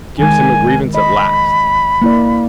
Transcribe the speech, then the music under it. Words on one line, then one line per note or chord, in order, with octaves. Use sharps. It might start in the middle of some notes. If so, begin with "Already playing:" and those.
It gives him a grievance at last.
D#3 G#3 G#5
D#5 B5
A#3 E4 D5